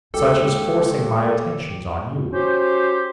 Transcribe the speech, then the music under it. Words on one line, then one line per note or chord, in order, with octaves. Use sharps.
Such as forcing my attentions on you.
D#2 G#3 G4 A4
C#4 F#4 G4 C5